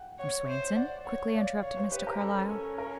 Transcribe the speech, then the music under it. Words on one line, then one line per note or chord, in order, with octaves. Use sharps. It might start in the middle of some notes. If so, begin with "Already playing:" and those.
"From Swainson?" quickly interrupted Mr. Carlyle.
Already playing: F#5 G5
C#5 F#5
C5 E5
D5 F#5
C#5 F#5
D5 F5
C#5 F5
C5
G4 B4
A#4
C#4 A4
A4
A#4